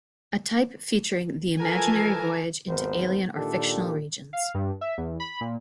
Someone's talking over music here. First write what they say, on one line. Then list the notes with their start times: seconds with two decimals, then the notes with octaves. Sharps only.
A type featuring "the imaginary voyage into alien or fictional regions".
1.60 E3 F3 A4 A#4 G#5 A5
2.68 G#1 D#2 B3 A#4 C5
3.34 A#2 D#3 D4 G4 A4
4.33 F5
4.54 G2
4.81 E5
4.98 E2
5.20 B5
5.41 A#2